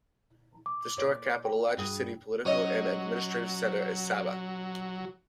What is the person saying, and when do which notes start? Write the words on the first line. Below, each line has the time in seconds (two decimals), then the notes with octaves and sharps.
The historic capital, largest city, political and administrative centre is Sabha.
0.66 D6
0.97 A#2 C#5 D5
1.45 G5
1.77 G2 F#4 G#4
2.45 F#3 C#4 C#5 D#5